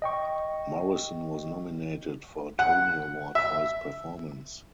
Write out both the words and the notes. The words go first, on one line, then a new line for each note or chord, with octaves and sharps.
Morrison was nominated for a Tony Award for his performance.
D#5 G5 C#6
F#5
E5